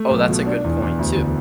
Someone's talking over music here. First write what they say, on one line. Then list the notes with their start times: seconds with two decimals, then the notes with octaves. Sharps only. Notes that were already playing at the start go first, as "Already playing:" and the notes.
Oh, that's a good point, too.
Already playing: A3
0.11 B1
0.29 B2
0.47 D4
0.64 E2
0.82 E2
0.99 D2
1.16 D3